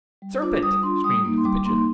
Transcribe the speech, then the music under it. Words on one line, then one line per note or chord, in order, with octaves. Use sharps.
'Serpent!' screamed the Pigeon.
G3
D4 F4 D6
G3 D#6
D4 F4 C6
G3 D#6
A#3 D#4
C6
G3 D6
A#3 D#4 C6